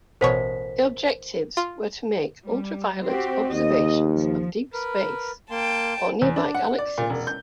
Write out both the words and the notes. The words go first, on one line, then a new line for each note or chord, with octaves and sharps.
The objectives were to make ultraviolet observations of deep space or nearby galaxies.
A1 B2 A#4 C5 C#5 B6
F4
G3
C4 F#4 G4
D#2 D#5
F3
A#4 B4
A#3 G5 A5 C6
E2
D4
F#5
D5
A#2
E1
G6